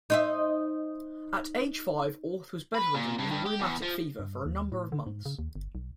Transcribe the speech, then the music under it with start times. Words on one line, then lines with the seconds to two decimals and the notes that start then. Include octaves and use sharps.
At age five Auth was bedridden with rheumatic fever for a number of months.
0.10 D#4 C5 E5
2.74 B4
2.95 A#2
3.18 G2
3.31 G2
3.46 G4
3.60 E2
3.82 F3
4.19 G2
4.46 D#2
4.72 A2
4.92 D3
5.07 G#2
5.26 C#3
5.39 D#2
5.56 G1
5.75 B1